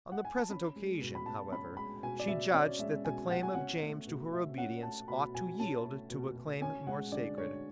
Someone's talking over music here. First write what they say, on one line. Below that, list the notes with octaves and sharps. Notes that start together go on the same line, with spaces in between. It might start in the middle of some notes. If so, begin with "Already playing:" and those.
On the present occasion, however, she judged that the claim of James to her obedience ought to yield to a claim more sacred.
F#5
G#5
A5
C#4 B5
G#3
B2
B5
B2 A5
C#4 B5
G#3 B5
B2 G#5
D5
B2 E5
C#4 D5
G#3 E5
B2 G#5
B2 F#5
G#5
C#4 F#5
A3
B2
B2 E5
C#4 F#5
A3 A5
B2 B5
B2 G#5
C#4 A5
A3
B2
B2
C#4 G#5
G#3 F#5
D3 D5
D3 C#5